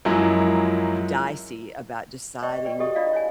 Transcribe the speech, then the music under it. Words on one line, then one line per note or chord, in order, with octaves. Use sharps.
dicey about deciding
F#2 F3 F#3 G#3 A#3 E4
C5 D5 D#5 G5 C#6
B4 D5 G5
F#4 G4 A4 D#5 C#6 D#6
D4 E4 F4 D5 D#5 F5
C#5 D#5 G#5